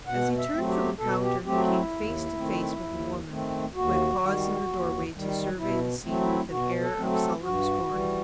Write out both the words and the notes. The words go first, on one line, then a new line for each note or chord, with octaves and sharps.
As he turned from the counter, he came face to face with a woman who had paused in the doorway to survey the scene with an air of sullen scorn.
B2 F#5
E5
F#3 A3 C4
G4
B2 A4
G4
F#3 A3 C4 G4
E4
D#2
D#3 A3 C4
D#2
D#3 A3 C4
D#2 F#4
D#3 G3
D#2
D#3 G3
B2 E4
F#3 A3 C4
E4
B2 F#4
A4
F#3 A3 C4
A4
G2 F#4
E3 G3